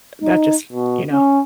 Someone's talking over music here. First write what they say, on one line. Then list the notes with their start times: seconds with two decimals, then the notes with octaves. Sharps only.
that just, you know,
0.22 D#4
0.72 B2
1.12 C#4